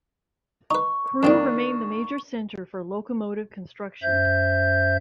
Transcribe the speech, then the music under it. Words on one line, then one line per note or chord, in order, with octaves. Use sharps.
Crewe remained the major centre for locomotive construction.
D#4 B4 C#6
F2 D#3 A#3 C4 D4 D5
F#2 C5 E5 G6